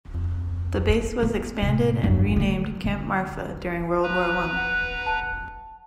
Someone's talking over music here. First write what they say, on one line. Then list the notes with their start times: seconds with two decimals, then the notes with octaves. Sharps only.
The base was expanded and renamed Camp Marfa during World War One.
0.14 F2
1.23 B3
1.62 A2 C3
2.04 G1 F2
2.36 D3 A3
2.84 D3
4.03 B4 A#5
4.56 F#5
5.06 A5